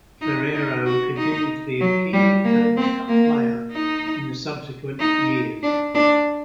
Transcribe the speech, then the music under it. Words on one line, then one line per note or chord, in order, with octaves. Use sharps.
Ferrero continued to be a key Davis Cup player in subsequent years.
D#4
D#4
F#4
D#4
F#3
G3
A#3
C4
A#3
D#4
D#4
D4
D4